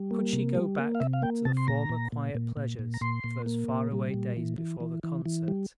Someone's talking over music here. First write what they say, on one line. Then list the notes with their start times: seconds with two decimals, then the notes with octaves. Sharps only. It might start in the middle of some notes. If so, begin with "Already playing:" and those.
Could she go back to the former quiet pleasures of those faraway days before the concert?
Already playing: G3
0.11 A#3
0.33 C3
0.55 G3
0.78 A#3
0.95 F5
1.00 C3 E5
1.13 F5
1.22 A#3 G5
1.45 C3 A5
1.57 C6
1.68 A#2 A#5
1.89 A#2
2.12 A#2
2.35 A#2
2.57 A#2
2.79 A#2
2.94 A#5
3.01 A#2 C6
3.24 A#2
3.46 A#3
3.68 A#2
3.92 G3
4.14 A#2
4.37 E3
4.58 E3
4.80 E3
5.04 E3
5.26 E3
5.48 G3